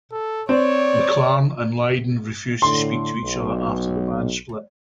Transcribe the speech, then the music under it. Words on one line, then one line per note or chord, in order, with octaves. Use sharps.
McLaren and Lydon refused to speak to each other after the band split.
A4
C4 C#5 D5
A2 D3 C6
B1